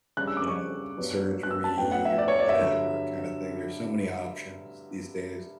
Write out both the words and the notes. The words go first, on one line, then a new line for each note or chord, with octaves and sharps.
you know, surgery or whatever kind of thing, there's so many options these days,
C#3 G3 D4 F#6
E6
D6
C#6
G2 F#3 B3 D4
F#6
E6
A5
A2 F#3 B3 D4 G5
F#5
E5
D5
C#5
D5
E5
G2 D3 F#3